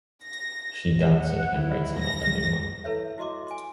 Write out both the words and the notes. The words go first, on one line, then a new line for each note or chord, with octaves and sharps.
She doubts it and writes him up a new one.
A#6
A#1
F#5
E4
A#6
E4 A4 B4 C#5 E5
E4 F#4 D#5 C6 D6
G#5 C6